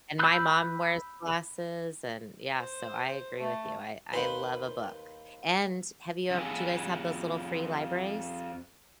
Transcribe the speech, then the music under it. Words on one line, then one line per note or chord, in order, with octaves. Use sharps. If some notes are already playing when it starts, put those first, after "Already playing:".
And my mom wears glasses and Yeah, so I agree with you. I I love a book, and have you ev Do you guys have those little free libraries?
B5 E6 F#6 G6
C5
A3
D#2 B4 C5 C6
F2 G#4